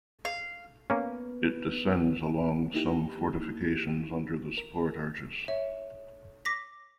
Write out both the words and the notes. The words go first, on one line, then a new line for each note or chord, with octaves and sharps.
It descends along some fortifications under the support arches.
F5
A#3 B3 C#4
A#3 D#4 E4 G4
A#4
C#5 E5
D6 A#6 B6